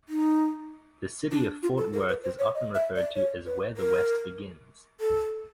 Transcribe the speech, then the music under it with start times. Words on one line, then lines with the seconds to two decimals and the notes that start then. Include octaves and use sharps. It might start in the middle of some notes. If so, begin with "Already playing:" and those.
The city of Fort Worth is often referred to as Where the West Begins.
0.09 D#4
1.31 D4
1.63 F4
1.78 A4
1.93 A#4
2.09 B4
2.24 C5
2.39 C#5
2.55 D#5
2.75 E5
2.96 D5
3.15 C#5
3.46 B4
3.77 A#4
5.00 A4